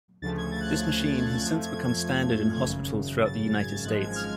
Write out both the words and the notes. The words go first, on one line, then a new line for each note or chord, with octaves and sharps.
This machine has since become standard in hospitals throughout the United States.
D2 C#3 F3 A3 A6
G#6
A6
F#6
G#6
F2 F3 A3 G#6
G#6
G#6
G#1 F#2 C#3
A6
G#6
G#1 F#2 F3 G#3 F#6
G#6
F6